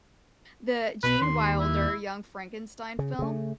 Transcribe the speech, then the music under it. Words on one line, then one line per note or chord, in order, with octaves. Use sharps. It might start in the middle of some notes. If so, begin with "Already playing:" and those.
the Gene Wilder Young Frankenstein film,
B1 B4
D#2 C6
E4
C#3
C#3 A3